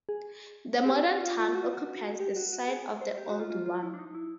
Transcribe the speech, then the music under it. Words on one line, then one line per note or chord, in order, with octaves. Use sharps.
The modern town occupies the site of the old one.
G#4
G#4
G4
F#4
F4
F4
F#4
F4
F#4
G4
F#4
F#4
G#4
C5
G4
F#4
F4
F4
F4
E4
D4
D#4
E4